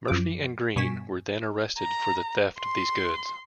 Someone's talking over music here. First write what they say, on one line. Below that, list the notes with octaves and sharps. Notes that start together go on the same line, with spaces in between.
Murphy and Green were then arrested for the theft of these goods.
F#2 F3 D6
G2 B2 G#5 C#6 B6 E7
A#5
C6